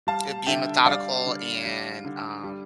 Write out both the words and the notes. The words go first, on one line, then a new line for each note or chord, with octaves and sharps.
Uh, being methodical and, um,
G3 F5 A5
D3 E5 G5
G3 D5 F5
D3
G3
D3
G3